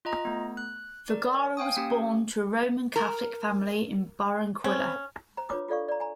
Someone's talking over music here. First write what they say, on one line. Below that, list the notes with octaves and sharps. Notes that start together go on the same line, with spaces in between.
Vergara was born to a Roman Catholic family in Barranquilla.
F4 D#5 A#5
A3 B3
F#6
A#4 D5
F5 G5 G#5 D#6
A#3 C#4 G4
A#4
C4 C#4
C5 A#5
D4 F4 B4 C#5 D6 D#6
F4 A4 D5 F5 C#6
D5 A#5
G#5 A#5